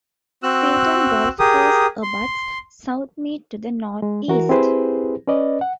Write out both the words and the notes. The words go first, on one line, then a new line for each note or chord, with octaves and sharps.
Filton Golf Course abutts Southmead to the North East.
C4 F#4 E6 F#6
G4 G#4 A#4 D#6
C6
G#3
E3 F#4 A#4
C4 E4 G4 G#4 B4 C5
C#4 B4 D5 D#5
F#5